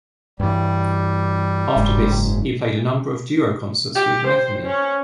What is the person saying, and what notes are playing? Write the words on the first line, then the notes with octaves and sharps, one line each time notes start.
After this, he played a number of duo concerts with Metheny.
G2 E3 G3
F#1 G#2
G4
C5
C#4